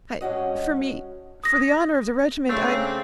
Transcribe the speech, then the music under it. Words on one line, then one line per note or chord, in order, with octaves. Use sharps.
I... for me... for the honor of the regiment I'd...
G2 C#4 F#4 D#5
D#6 A#6
C#3 A3 C4 D4 E6